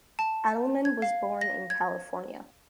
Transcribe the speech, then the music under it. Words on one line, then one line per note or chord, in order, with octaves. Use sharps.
Adleman was born in California.
A5
G#6
F5
A#6
G#6